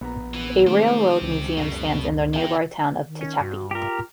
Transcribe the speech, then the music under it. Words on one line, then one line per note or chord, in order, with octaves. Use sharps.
A railroad museum stands in the nearby town of Tehachapi.
A#1 B3 A#5
E3 B3
D#3 G#3 A3 C4 G4 C5
C#2
F#1 B2
E2 D#3 E4 G5
D#3
C#4
G2 F#4
F4 G4 A#4